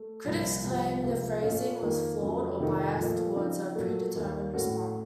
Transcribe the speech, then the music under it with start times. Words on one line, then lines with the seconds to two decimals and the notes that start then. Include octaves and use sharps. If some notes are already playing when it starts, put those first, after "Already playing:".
Critics claimed the phrasing was flawed or biased toward a predetermined response.
Already playing: A3
0.25 C2 A#2 F3
0.64 C2 C3 F3
1.03 C#2 C3 F3 A#3
1.41 A#2 A3 C#4 F4
1.81 F2 D#3 A#3
2.19 F2 C#3 F#3 A3
2.59 F2 C3 D#3 A3 D#4
2.97 A#2 F3 A3
3.36 C#3 F3 C4 D#4
3.75 A#2 F#3 A3
4.15 D#2 D#3 A#3
4.54 A2 A3 C#4 F#4